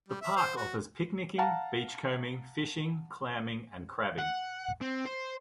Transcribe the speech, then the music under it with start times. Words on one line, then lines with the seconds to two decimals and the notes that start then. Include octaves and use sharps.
The park offers picnicking, beachcombing, fishing, clamming, and crabbing.
0.08 G3
0.21 E5
0.36 C5
0.56 F#4
1.38 F5 F#5 A5 A#5
4.18 F#5
4.81 C4
5.05 C5